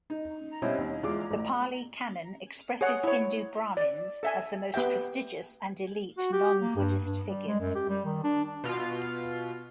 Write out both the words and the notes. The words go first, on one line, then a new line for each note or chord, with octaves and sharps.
The Pali Canon expresses Hindu Brahmins as the most prestigious and elite non-Buddhist figures.
D#4
B2 G3 C4 C#4 E4
D#2
E2 G#3 F4 D6
A1
G#4 C#5 F#5
E4 C#5
D5
A4 E5 G#5
B3 G4 E5 G5
F#4
G4
A#3
G2
G2
G3
G#3
F#2
G4
G3
D#3
D4
B2 F4